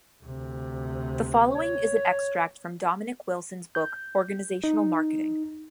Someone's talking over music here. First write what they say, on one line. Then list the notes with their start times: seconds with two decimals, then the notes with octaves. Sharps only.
The following is an extract from Dominic Wilson's book "Organizational Marketing".
0.22 D2 C3
1.55 C#5
3.75 G6
4.64 D#4